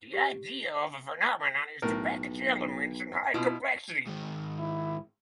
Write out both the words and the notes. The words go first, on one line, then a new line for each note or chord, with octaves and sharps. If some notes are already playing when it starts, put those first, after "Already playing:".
The idea of a Phenomenon is to package elements and hide complexity.
G4
B1 A2 A#4
B2 E4 F4
G#2 D#3
E4